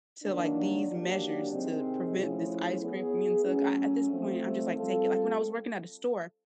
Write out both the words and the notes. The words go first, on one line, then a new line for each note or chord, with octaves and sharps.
to like these measures to prevent this ice cream from being took," a at this point, I'm just like, "Take it," like, when I was working at a store,
D#3 F#3 A#3 D4
F#3 A#3 D4 G4
C3 D#3 G#3 C4
F3 A3 C#4 E4 G#4
B3 E4 G#4 C#5
F#3 A3 C#4
F3 A3 C4
G3 C4 F4 A4